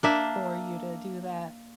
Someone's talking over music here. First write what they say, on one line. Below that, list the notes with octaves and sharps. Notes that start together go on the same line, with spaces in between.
for you to do that,
A#3 D4 E5